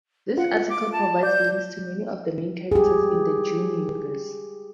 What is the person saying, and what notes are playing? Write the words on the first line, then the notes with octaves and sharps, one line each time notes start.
This article provides links to many of the main characters in the "Dune" universe.
F4 F#5
D6
A5
D5 G6
G4 G#4